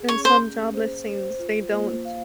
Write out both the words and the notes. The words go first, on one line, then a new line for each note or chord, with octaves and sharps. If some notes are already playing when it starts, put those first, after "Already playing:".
And some job listings, they don't
Already playing: G#4
C#4 C#5
C5
A#3
C5
C5
F4
A#3
F5